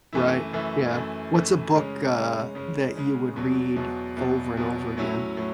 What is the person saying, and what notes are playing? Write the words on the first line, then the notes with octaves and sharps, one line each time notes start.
Right, yeah. What's a book, uh, that you would read over and over again?
F#2 E3 A3 E4
F#2 E3 A3 E4
F#2 E3 A3 E4
F#2 E3 A3 E4
C#3 G#3 C#4
C#3 G#3 C#4
C#3 G#3 C#4
C#3 G#3 C#4
E2 B2 F#3
E2 B2 F#3
E2 B2 F#3
E2 B2 F#3
A2 F#3 C#4 E4
A2 F#3